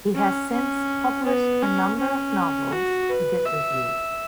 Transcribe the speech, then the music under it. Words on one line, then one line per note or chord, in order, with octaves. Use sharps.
He has since published a number of novels to good reviews.
C#4
C#4
B3
C#4
C#4
F#4
B4
E5